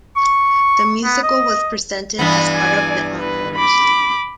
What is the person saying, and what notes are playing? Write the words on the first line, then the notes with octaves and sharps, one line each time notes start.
The musical was presented as part of the Encores!
C#6
B3
D#5
G2 E3 B3 B5
D5 G#5
B4
B5 D6